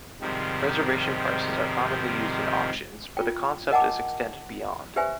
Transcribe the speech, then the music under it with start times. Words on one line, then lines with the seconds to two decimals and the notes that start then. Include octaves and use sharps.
Reservation prices are commonly used in auctions, but the concept is extended beyond.
0.21 G#2 C3 D#3 F3 G3
3.17 F4 G5
3.71 A#4 D#5 F#5 G#5 A5 D6
4.96 G4 B4 C5 E5 G#5